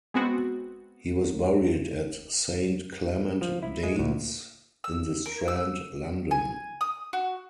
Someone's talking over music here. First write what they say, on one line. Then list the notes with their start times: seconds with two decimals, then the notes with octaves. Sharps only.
He was buried at Saint Clement Danes in The Strand, London.
0.14 G#3 B3 C4 F#4
3.41 F3
3.63 E4
3.83 G#3
3.99 D2
4.84 E6
5.26 A#4
5.48 E6
6.31 G#5
6.81 D#6
7.13 F#4